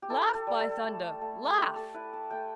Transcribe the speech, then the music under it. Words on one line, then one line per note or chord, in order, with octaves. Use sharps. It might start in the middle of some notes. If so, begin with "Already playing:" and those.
Laugh, by thunder, laugh!
G4
E4 A4
A4
G3
A4
A3
A3
A3 G4
A4
E4 B4
A5
A3 G5